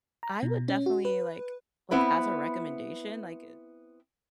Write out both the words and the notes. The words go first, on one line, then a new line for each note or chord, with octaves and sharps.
I would definitely, like like, as a recommendation, like, uh
A#5
B2
C#4
F#4
B4
B3 C4 E4 B4